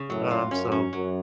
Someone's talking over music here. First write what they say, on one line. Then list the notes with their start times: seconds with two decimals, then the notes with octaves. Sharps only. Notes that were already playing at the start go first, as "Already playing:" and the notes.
um, so
Already playing: C#3
0.09 F#2 A2 F#3
0.31 F4
0.51 F#2 C#4
0.72 C#4
0.92 F#2 F#3